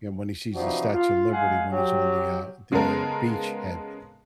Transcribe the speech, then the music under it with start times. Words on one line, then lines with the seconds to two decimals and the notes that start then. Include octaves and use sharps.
you know, when he sees the Statue of Liberty when he's on the, uh the, uh, beachhead.
0.54 C3 E3 F3 D4 D#4 F#4
0.92 F4
1.31 G#3 F5 F#5 G#5
1.69 F#3 G4
2.72 C#3 G#3 B3 A4 A#4